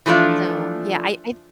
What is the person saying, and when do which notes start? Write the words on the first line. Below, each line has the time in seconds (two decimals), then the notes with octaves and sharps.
So, yeah, I I
0.06 E3 F3 A3 D4 F4